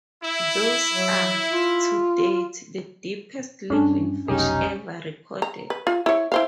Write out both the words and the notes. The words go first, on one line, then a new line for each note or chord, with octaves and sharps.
These are, to date, the deepest living fish ever recorded.
E4
F#3
F4
G2 C#4 D4
F1 B1 C#4 D#4 G4
A#5
B4
F4
E4 C#5
E4 C5 F5